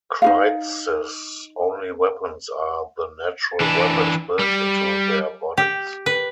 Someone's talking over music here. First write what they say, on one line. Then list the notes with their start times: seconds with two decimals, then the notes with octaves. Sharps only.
Krites' only weapons are the natural weapons built into their bodies.
0.22 D#4 F#4 F5
3.60 E3 D4
4.39 G3
5.57 G4
6.06 B4